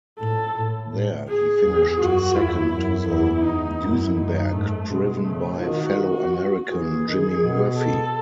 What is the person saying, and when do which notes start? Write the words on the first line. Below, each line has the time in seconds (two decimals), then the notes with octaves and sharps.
There, he finished second to the Duesenberg driven by fellow American, Jimmy Murphy.
0.20 A2 A4
0.57 A2
0.91 A2
1.28 G#4
1.65 E2
2.00 F#2 F#4
2.36 E2 E4
2.72 F#2 E4
3.08 E2 E4
3.45 E2 D#4
3.80 F#2 E4
4.16 F#2 D#4
4.52 G#2 A3
4.88 B2 G#3
5.25 C#3 A3
5.61 D#3 F#4
6.69 E3 G#4
7.06 D#3
7.41 B2
7.78 A4